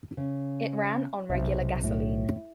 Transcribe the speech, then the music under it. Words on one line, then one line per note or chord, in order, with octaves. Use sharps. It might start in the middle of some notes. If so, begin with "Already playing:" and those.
It ran on regular gasoline.
C#3
B1 C3
A2